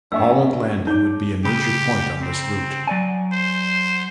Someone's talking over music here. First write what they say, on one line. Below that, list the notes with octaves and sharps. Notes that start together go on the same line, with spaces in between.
Holland Landing would be a major point on this route.
A#1 E5 C#6 E6
D#4 C#5 D6 G6
C#3 G4
C4
F#3 D5 G#5
C5